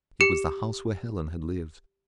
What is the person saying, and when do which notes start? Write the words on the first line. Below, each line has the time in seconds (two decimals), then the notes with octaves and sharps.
It was the house where Helen had lived.
0.21 G4 C#7